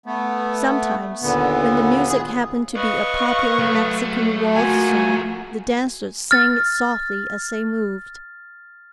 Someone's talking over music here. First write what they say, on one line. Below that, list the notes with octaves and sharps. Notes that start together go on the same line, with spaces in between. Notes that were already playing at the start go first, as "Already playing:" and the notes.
Sometimes, when the music happened to be a popular Mexican waltz song, the dancers sang it softly as they moved.
A3 B3
D#2 A#2 D3 B3
A2 G#4
B4 D5 D#5 F5 C#6
C#3 F#3 A3
F3 G#3 F#4 A#4 G#5
F6 A6